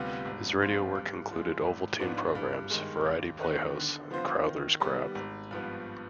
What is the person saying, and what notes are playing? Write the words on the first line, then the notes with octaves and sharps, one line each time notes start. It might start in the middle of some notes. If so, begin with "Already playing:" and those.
His radio work included Ovaltine programmes, "Variety Playhouse" and "Crowther's Crowd".
Already playing: D2 C3 G3 B3 F4
G#1
G2 F3 C4 F4
G2
F3 G#3
G#1
G#2 F3 B3 D4
G2
D#3 G#3
D#2
D#3 B3 D#4 B4
D3
F3 B3 F4 C5
D#3
G3 B3
G#1
G2 F3 B3